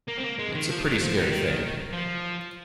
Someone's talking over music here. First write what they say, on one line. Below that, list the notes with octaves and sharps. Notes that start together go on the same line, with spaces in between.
It's a pretty scary thing.
A#3
C4
A#3
G#3
D#3
F3
D#3
F3
D#3
D#3
F3